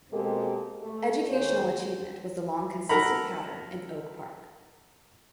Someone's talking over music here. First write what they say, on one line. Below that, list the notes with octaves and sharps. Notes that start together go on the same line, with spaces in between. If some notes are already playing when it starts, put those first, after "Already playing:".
Educational achievement was the long consistent pattern in Oak Park.
B2 G#3 A#3 C4 G4 A4
A3
D#2 A#3 G#4 C5 C#5
A4 A#4 F#5 A#5 B5